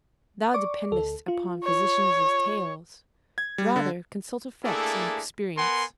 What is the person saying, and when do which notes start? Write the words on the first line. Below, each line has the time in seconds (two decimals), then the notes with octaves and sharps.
Thou dependest upon physicians' tales: rather consult effects and experience.
0.54 D5 C#6 D6
0.92 D2 A4
1.28 F4
1.64 C#5
3.38 G#6
3.58 G3
3.76 D3
4.64 A3 A#3 D4 E4 G#4 A4
5.57 B3 A#4 F#5 G#5 C6